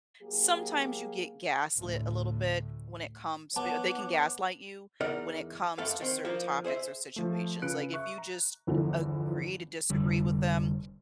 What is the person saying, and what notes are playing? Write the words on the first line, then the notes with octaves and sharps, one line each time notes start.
sometimes you get gaslit a little bit when it comes they can gaslight you when it comes to certain topics or situations. Like, if you just agree to disagree with them
F#3 A#3 G4 G#4
D2 A2
B3 C#5 F#5 A5 D6
E2 D#4 A#4 D5 F#5
F#2 A3 A4 F5
D#3 C4
F3 A#3
G#4 C5 C#5 E5
F3 A3
C#3 F4 B4 F#6 C#7 D7
E5 C#6 F#6
A#5
G1 E2 D3 E3 F3
F1 D3 G3